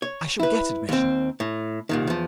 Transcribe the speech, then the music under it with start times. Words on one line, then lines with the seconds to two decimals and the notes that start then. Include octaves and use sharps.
"I shall get admission."
0.02 C#5
0.40 E4 B4
0.89 D#2 C4
1.40 A2
1.89 C2 A#2 D#3
2.07 E2 F3